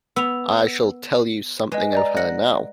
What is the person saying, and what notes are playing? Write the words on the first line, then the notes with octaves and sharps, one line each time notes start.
I shall tell you something of her now.
B3 E6 F7
G#3 B4 D#5
D5 D#5 A#5
F#5 A#6